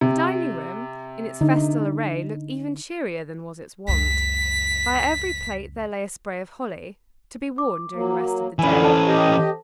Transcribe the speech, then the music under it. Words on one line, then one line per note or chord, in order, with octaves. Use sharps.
The dining-room in its festal array looked even cheerier than was its wont. By every plate there lay a spray of holly, to be worn during the rest of the day.
C3
D3 D#4
C#2 F#2 B6
D6
F#3 A#3
F2 D3 E3 C#4 G#5 B5
A4 C5 A5
G4 D#5